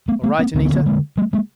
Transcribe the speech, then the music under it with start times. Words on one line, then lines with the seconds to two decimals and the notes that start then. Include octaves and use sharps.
"All right, Anita?"
0.08 A3 B3
0.23 A3 B3
0.39 A#3 C4
0.55 D2 D3 C4
0.65 B3
0.74 A#3 C4
0.86 G#3 A#3
1.17 G3 A3
1.33 G#3 A#3